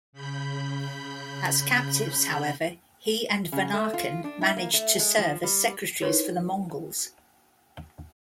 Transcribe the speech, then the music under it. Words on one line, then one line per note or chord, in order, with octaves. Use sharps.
As captives, however, he and Vanakan managed to serve as secretaries for the Mongols.
C#3 B5 G6
C#3
A3
F4
D4
E4
A#3
A3
G#3
F3
G3
D#4 E4 A#4 B4 C#5